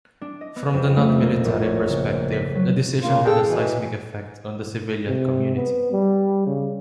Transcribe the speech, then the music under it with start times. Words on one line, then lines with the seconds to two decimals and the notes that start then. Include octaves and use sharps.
From the non-military perspective, the decision had a seismic effect on the civilian community.
0.21 D4
0.41 D#5
0.56 B3
0.74 F2
0.97 A3
1.22 A#3
1.45 A#1
1.63 C#5
1.90 C#3
2.32 B6
2.55 F#3
3.03 C#3 A#3 F4
3.26 G#4 A4 G5
3.46 B2 E3
5.07 C3
5.56 B3
5.91 G3
6.46 C#3